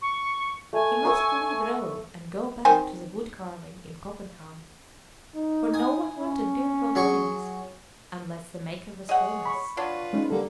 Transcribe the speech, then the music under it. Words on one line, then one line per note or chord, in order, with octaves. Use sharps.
He must leave Rome, and go back to the wood-carving in Copenhagen; for no one wanted beautiful things, unless the maker was famous.
C#6
A3 G#5
C#6 D#6 E6
D#3 C4 G#5
D#4
G#5 D#6
C#4
F#3 G#4 C#6
G#4 C#5 D#5 F#5
B5 C#6
F#3 D4 F4 B4
G#3 C#4 D#4
D3 G3 A#3 A4